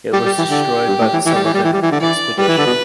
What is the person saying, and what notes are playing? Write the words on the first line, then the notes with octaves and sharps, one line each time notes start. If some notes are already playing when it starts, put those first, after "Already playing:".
It was destroyed by the Sullivan Expedition.
G3 G4
G3
E3
D3
G2
A2
E3
E3 G4
G3
E3
G3
E3
G3
E3
D3
E3 D5
G3 B4
E3
D3
B2